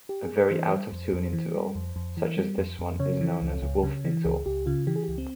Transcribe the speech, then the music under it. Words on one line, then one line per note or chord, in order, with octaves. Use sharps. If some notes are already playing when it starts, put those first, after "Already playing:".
A very out-of-tune interval such as this one is known as a "wolf interval".
G4
G#4
A#4
E3 C5
G3
F2
F2
E3
G3
F2
F2
E3
G3
F2
F2
C#3 C#5
E3
C#2
C#2
C#3
E3
C#2 G#4
C#2 G4
C#3 F4
E3 G4
G#4
C#2 G4
C4